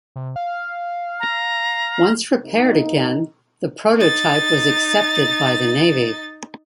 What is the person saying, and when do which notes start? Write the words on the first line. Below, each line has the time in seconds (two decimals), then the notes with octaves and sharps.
Once repaired again, the prototype was accepted by the Navy.
0.16 C3
0.36 F5
1.20 A#5
2.45 C3 A#3 D#4
3.96 D#4 A6